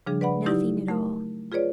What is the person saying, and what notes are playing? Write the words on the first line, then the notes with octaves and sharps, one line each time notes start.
Nothing at all.
C#3 F3 G3 D4 G#4
B4 D5 F#5 B5
F#3 D#4 E4 G4 D5
A3 A#4
F4 G#4 B4 C#5 D5